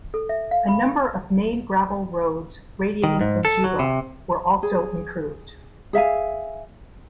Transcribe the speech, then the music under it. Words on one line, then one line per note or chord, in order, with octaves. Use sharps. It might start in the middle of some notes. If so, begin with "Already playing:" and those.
A number of main gravel roads radiating from Juba were also improved.
A4
E5
F5
B5
D#3
G#2
A4
F#3
C3
G#4
G#4 E5 F5 G#5